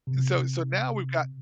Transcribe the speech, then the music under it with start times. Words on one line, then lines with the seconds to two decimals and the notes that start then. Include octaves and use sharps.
so so now we've got
0.07 C3